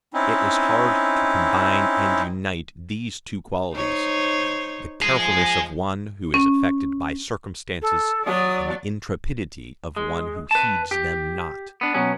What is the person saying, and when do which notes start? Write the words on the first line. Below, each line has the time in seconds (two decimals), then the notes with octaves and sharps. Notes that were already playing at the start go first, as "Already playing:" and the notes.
It is hard to combine and unite these two qualities, the carefulness of one who is affected by circumstances, and the intrepidity of one who heeds them not.
0.14 C4 C#4 D#4 E4
3.74 D#4 C5 C#5
5.02 F3 G#4 D#5
6.34 C#4
7.82 A4
8.26 F#3 D5 D#6
9.96 G#3
10.51 B4 A5
10.91 G4
11.81 B3 D4
11.94 B2 F#3 B3 C#4